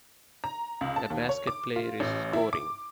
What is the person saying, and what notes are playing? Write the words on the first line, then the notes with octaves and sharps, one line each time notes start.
A basket player is scoring.
A#5
C#2
A5
D#2
C#5
D6
F4
A1
E4
D6